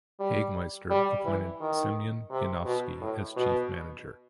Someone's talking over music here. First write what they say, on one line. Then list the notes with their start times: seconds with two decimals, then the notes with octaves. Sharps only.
Hagemeister appointed Semyon Yanovsky, as Chief Manager.
0.20 G3
0.90 G3
1.25 E3
1.60 D#3
2.31 C3
2.65 B2
3.01 A2
3.36 B2